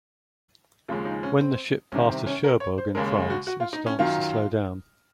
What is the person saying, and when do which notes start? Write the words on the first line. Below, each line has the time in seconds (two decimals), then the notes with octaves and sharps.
When the ship passes Cherbourg in France it starts to slow down.
0.88 D#2 C#3 F3 G#3 F4
1.05 D#4
1.23 C#4
1.40 C4
1.92 C2 C3 D#3 C#4
2.09 C4
2.27 C#4
2.44 A#4
2.60 C#5
2.78 C5
2.95 D#2 C#3 G#3 A#4
3.30 F#4
3.47 F#4
3.60 F4
3.73 D#4
3.86 C#4
3.99 F#2 D#3 F#3 F4